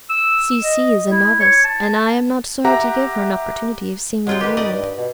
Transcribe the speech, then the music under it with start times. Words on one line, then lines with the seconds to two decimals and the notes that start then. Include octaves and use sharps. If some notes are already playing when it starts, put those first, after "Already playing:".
C---- C---- is a novice, and I am not sorry to give her an opportunity of seeing the world.
0.09 E6
0.63 D#5
1.11 E4
1.40 C#5
1.64 A5
2.65 G4 E5 F#5 A#5
4.27 F#3 G#3 F4 G5
4.41 D#3 G4 B4
4.57 D5 D#5
4.73 G2
4.98 B2